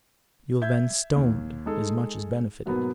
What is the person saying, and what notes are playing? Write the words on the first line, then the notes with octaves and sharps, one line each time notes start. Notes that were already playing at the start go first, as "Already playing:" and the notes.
You have been stoned as much as benefited.
E5 G6 G#6
D#2
G#3 D#4 G#4 A4
G#2 B2 F#3 A#3 B3